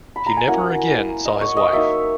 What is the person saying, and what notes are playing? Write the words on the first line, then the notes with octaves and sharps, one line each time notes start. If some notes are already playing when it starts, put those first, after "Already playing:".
He never again saw his wife.
B5
A#5
G#5
F#3 A#3 C#4 E4 F#5
D#5
C#5
D#5
F#3 A#3 D#4 E5